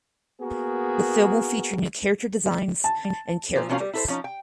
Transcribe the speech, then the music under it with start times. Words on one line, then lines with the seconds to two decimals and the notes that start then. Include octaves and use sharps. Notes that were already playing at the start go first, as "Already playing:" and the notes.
The film will feature new character designs and characters.
0.40 A#3 B3 F#4 G#4 A#4
2.84 A5
3.56 A#2 F3
3.69 C3 F3 A#3 C#4 F#4 F5
3.80 G3
3.93 E4 A4 C5
4.08 F3 C#4 D#4
4.24 G5